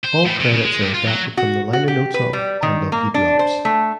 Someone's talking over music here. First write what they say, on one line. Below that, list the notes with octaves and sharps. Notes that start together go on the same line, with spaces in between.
All credits are adapted from the liner notes of "I Love You Drops".
C5
A2
C3
C#3
G#3
G2
F4
F#3
F#4
F#4
G4
B4
G3
D#3
A#3
D4
C5
A3